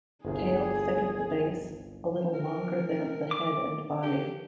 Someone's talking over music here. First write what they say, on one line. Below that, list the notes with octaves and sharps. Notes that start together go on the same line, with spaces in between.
Tail thick at the base, a little longer than the head and body.
G1 C2 G#4
A#4
D6
G4